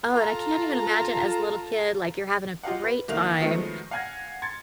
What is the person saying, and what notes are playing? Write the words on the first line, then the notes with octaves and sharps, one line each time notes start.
Oh, and I can't even imagine as a little kid, like, you're having a great time,
F4 A4 A5 A#5
F4 G4 D#5 F5 F#5
B4
C2 D#3 A#3 E4 F7
D#3 F3 F#3 G#3 A3 B3
F5 F#5 G#5 F6 G#6 A#6
C6 G#6 A6 C#7